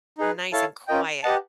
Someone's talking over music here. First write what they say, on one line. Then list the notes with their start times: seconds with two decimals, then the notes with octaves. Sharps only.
nice and quiet
0.18 D#4 G#4 B4
0.52 E4 A4 C#5 F5 A5
0.87 C#4 F4 A#4 D#5 G5
1.23 G4 B4 D#5 F#5 A5